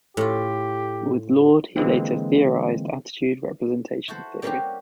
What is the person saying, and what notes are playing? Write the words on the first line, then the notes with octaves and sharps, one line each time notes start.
With Lord he later theorized attitude representation theory.
A2 F4 G4
D3 E3 G#3 A#3 C4
E4 F#4 A4 C5
G3 A#3 C4 C#4 F#4 G4